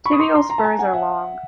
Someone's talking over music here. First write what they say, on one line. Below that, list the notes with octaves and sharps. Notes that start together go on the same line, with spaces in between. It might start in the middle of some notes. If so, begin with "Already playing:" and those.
Tibial spurs are long.
B5 C#6
D#6
C6 D6
A#5 C6
A#5 C6
A5
G#5 A#5
F#5 G#5
E5 F#5